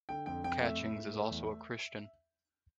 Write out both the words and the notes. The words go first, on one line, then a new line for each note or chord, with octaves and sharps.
Catchings is also a Christian.
D3 G5
F2 G5
F2 G5
A3 E5
A2
A3
A3
E2